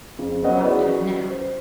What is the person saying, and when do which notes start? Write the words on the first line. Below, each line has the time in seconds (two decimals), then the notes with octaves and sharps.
We're after her now.
0.19 F2 C#3
0.43 B3 C#4 A#4 C5 D#5 F#5
0.63 E4 F#4 G#4 B4 D5 D#5
0.85 C#4 F#4
1.30 C5